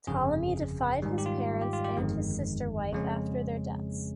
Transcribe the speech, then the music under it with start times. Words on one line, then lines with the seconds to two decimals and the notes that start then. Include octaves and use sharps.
Ptolemy deified his parents and his sister-wife after their deaths.
0.07 G1 F2 C#3 G#4
1.02 G#2 D#3 G3
1.18 G4
1.26 F4
1.61 G4
1.73 F4
1.84 G4
1.97 G1 F2 D#3 G#3
2.92 F2 C#3 G#3 C#4